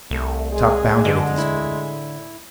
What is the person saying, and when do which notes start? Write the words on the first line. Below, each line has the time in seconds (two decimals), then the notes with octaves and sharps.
Top bounded at these words.
0.11 C2 A3
0.52 G#3 G#4
1.05 D3 D5 D#5
1.38 A2 E4